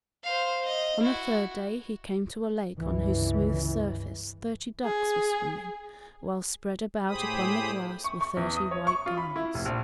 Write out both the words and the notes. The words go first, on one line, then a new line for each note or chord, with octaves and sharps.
On the third day he came to a lake on whose smooth surface thirty ducks were swimming, while spread about upon the grass were thirty white garments.
C5 F5
D#5
E4 F#4
G1 C#2 G2 E3
G#4
A2 G4 G#4 C5 B5 D#6
C#6
C#6
E2
D#6
C#5
C#6
F4
B5
E4
F1
A#1